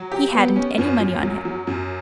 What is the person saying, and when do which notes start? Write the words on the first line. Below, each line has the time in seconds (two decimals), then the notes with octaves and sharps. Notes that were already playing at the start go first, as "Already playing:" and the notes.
He hadn't any money on him.
Already playing: F#3
0.12 G4
0.34 B3
0.56 C#4
0.78 F#2
1.00 F#2
1.23 F#3
1.45 F#3
1.67 F#2